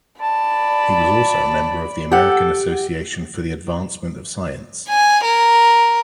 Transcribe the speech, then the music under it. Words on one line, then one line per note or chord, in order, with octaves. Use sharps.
He was also a member of the American Association for the Advancement of Science.
D5 A5 B5
G4 A4 F#5
G#5
A#4